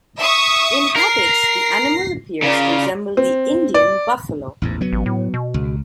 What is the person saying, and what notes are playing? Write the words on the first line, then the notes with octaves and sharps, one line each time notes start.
In habits, the animal appears to resemble the Indian buffalo.
E5 C#6 D#6
A#4 A#6 C7
C#3 F4 A#4 D5
C4
D5
A1 E2 G#2
F#3 B3
A1
A2
B2
C#2